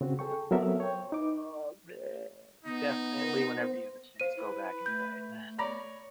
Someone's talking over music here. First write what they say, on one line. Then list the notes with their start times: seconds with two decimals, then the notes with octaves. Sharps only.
Nuh oh, man. Definitely whenever you have a chance, go back and play it, man.
0.01 C#3 C4 F#4
0.19 G#4 A4 G5 C#6
0.51 F#3 B3 C4 A4 A#4 E5
0.80 C#5 G5
1.12 D#4 D6
2.65 B3 D#4
3.21 A#2
3.57 C5
4.20 C5 F5 D#7
4.37 E4 B4
4.86 A3 G6
5.58 C#5 D5 A#5 B5